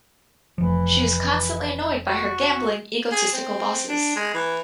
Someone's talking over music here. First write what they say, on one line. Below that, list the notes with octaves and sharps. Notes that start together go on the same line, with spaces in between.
She is constantly annoyed by her gambling, egotistical bosses.
F1 E3 F3
F#4
G#4
C4
D4
G#3
E3